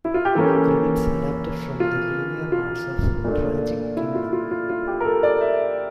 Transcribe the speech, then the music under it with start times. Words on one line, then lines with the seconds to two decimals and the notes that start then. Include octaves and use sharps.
Credits adapted from the liner notes of "Tragic Kingdom".
0.05 E4
0.14 F4
0.25 G4
0.35 E3 A#3 C#4 A4
1.80 F4
2.52 F4
3.24 A#2 A3 D4
3.97 E4
4.15 F4
4.33 F4
4.51 F4
4.69 F4
4.87 G4
5.00 A#4
5.05 A4
5.23 D5
5.41 E5